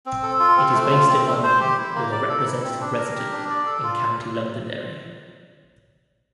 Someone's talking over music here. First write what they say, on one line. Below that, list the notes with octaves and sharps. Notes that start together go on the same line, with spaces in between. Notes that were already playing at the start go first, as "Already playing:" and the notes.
It is based in London, with a "Representative" resident in County Londonderry.
C4
A4
F4
C4
A3
F4
C4
A3
C5
G4
E4
A#3
D5
A4
E4
C4
D4
A#4
G4
D4
D5
A4
F4